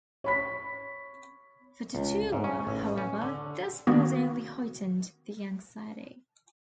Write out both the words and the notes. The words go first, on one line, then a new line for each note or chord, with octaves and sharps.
For "Tutuila", however, this news only heightened the anxiety.
C#5 B5 B6
C#2
G#2
C#4
A1
C#4
D3
D#3 A#3 B3 F#4